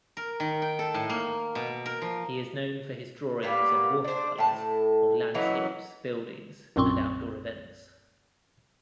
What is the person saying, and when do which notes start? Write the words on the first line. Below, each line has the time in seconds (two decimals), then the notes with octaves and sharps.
He is known for his drawings and watercolours of landscapes, buildings and outdoor events.
0.17 A#4
0.40 D#3
0.62 G5
0.79 A4
0.94 A2
1.09 A#3
1.55 B2
1.86 A#4
2.02 F3
3.42 G3 A#3 B3
4.04 D4 C5
4.38 A2 A5
5.34 E3 F#3 C#4 D#4
6.76 B1 F#2 A#2 C4 C6 C#6